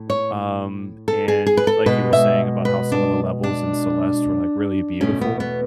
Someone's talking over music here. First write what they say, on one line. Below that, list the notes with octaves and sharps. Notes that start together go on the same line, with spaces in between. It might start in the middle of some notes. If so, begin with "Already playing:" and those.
um, and, like, you were saying about how some of the levels in Celeste were, like, really beautiful,
Already playing: A2
C#5
A4
G#4
G#4
B4
A4
B2 G#3 B4
E5
B4
D4
D4
E2 B2 A3 C#4
B3
B3